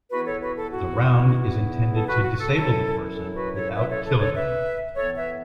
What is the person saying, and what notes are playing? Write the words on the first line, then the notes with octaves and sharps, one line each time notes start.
The round is intended to disable the person without killing them.
E2 E3 B3 E4 F#4 B4
A4 C#5
F#4 B4
A4
F#4
A4
F#4 B4
F#4
A4
F#2 F#3 C#4 E4 A4
A4
F#4 B4
A4 C#5
B4 E5
A4 C#5
A4
A4 C#5
B4 E5
A2 E3 B3 A4 C#5
B4 E5